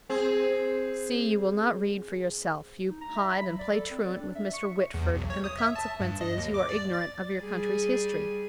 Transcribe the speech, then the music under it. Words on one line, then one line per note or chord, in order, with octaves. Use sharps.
"See, you will not read for yourself, you hide and play truant with Mr. Whitford, and the consequence is you are ignorant of your country's history."
C4 G#4
D#4
A#5
E5
B5
F#3
D5
A4
C4
D5
D4
E5
C#6
E2
B1
C#5
D#6
E5
A5
G2
D#5
D#2
D6
D5
A6
G3 G#4